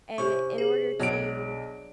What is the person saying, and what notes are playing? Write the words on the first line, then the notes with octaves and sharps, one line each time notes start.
And i in order to
C3 C#4 E4 C#6
G#4
B1 F#3 D4 D7